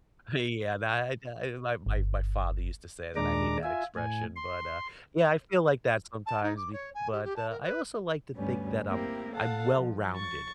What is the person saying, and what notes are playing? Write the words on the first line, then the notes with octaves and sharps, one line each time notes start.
Yeah, that i i my my my father used to say that, I hate that expression, but, uh, yeah, I feel like that sometimes be but, uh, I also like to think that I'm I'm well-rounded.
G1
D#2 A#2 G#3 D4 A#5 D6
F4 E5 G#5
A2 G#5
C6
A5
D#4
D6
C#5
G#5
G4
G4
A5
A#4
B4
D2 G2 G3 B3 C#4
A#3 C4 E4 G4 A#4
A4 F5 F#5 A5
F3
C#6 A6